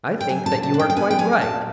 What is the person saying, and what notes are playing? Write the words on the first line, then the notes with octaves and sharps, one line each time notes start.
I think that you are quite right.
G5
F#3 G#5
A5
A#2
A5
D4
G5
G5
B3 G#5
G5
F#3 G#5
A#2 A5